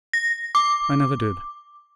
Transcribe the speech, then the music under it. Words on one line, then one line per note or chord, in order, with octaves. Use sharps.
"I never did."
A#6
D6